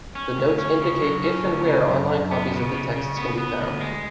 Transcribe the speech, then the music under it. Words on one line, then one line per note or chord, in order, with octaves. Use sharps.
The notes indicate if and where online copies of the texts can be found.
C#4
D2
C#4
C#3
F#3
C#4
D2
C#3
F#2
F#2
B3
C#3
C#3
C#3
B3
B3
D2
G#3